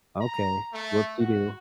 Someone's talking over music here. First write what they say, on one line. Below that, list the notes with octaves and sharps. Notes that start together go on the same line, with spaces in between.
"Okay, whoop-de-doo."
A#5
A3
F#4